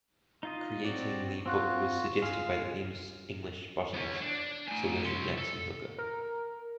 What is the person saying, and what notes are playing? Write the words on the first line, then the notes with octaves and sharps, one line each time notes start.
Creating the book was suggested by the famous English botanist Sir William Jackson Hooker.
D#4 F4 D#5
F#3 C4 F#4 D5
C4 F4 F#4 F#6
G#3 F4 G#4 F5 F6
B3 C#5
D4
A2 G#5
C2 C6
A4
A#4